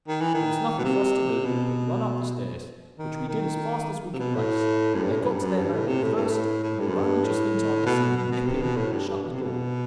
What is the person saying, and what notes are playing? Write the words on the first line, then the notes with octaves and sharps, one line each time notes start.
There was nothing for us to do but run up the stairs, which we did as fast as we could race; but they got to their landing first, and we were only just in time to see them nip in and shut the door.
D#3
E3
D#3
B2
C3
B2
D#3
D#3
C3
B2
A2
F#2
G2
A2
F#2
G2
F#2
G2
A2
C3
A2
G2
A2
A2
G2
F#2
G2
A2
B2
B2
B2
C3
B2
A2
G2
G2
B2
C3
B2